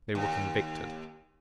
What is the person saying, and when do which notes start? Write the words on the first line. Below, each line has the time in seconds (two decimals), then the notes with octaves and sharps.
They were convicted.
0.15 D#2